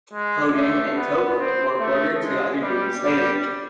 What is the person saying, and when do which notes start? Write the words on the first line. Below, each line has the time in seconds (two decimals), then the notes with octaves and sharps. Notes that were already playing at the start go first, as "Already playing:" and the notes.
Hoden and Toeppel were ordered to other duties later.
0.13 G#3
0.55 A3
0.96 B3
1.38 C4
1.79 A3
2.21 G#3
2.62 G3
3.04 G3